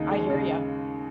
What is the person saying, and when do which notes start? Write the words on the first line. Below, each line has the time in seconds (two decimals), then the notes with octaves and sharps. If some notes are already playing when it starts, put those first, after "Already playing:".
I hear ya.
Already playing: D#2 C#3 G#3 D#4
0.11 G#3
0.30 C#3